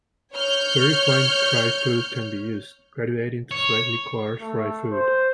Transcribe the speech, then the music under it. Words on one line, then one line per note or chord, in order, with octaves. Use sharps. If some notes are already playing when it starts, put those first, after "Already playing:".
Very fine fry food can be used, graduating to slightly coarse fry food.
C#5 F6 G6
C#5
A3
C5